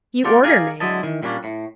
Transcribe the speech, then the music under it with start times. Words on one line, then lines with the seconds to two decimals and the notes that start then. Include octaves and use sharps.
"You order me?"
0.24 A3 B3 F4 A4 D5 G5
0.44 G#4 A#4 D5 F5 G#5
0.80 D3 F#3 G#3 E4 D#5 A5
1.03 D#3 E3
1.23 A#2 G3 A#3 C#4 D4
1.44 A2